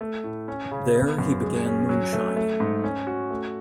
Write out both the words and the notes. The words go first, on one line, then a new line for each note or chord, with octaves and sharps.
There, he began moonshining.
A3
A2
C#4
C#3
B3
F#2
G#3
C#4
F#3
A3
A3
G#2
C#4
F#4
A3